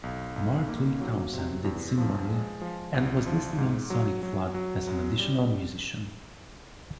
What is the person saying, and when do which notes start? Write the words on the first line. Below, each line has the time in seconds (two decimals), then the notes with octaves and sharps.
Mark Lee Townsend did similarly, and was listed on "Sonicflood" as an additional musician.
0.03 B1
0.36 B1
0.68 A#3
1.01 F#3
1.33 C3
1.64 E2
1.98 F3
2.29 G#3
2.61 F3
2.94 C2
3.26 F3
3.58 G#2
3.90 F#3
4.23 F#3
4.54 F#3
4.87 F#2
5.19 G3